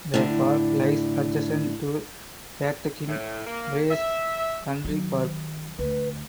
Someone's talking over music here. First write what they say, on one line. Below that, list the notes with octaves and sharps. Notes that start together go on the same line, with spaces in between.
The park lies adjacent to Cathkin Braes Country Park.
A2 D3
A2
A#3
E5
D#3 F#3
D2 B4